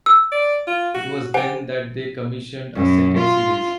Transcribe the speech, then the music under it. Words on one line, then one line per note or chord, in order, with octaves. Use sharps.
It was then that they commissioned a second series.
E6
D5
F4
F#4
G4 C5 F#5 G#5
F#2
F4